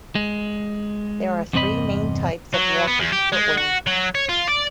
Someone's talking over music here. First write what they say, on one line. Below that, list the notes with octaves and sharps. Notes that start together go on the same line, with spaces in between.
There are three main types of walking footwear.
G#3
E2 G2 C3 C4 D#5 B5
F#3
B3
E2
G4
G#3
F#4
F#3
C#5
F4
D5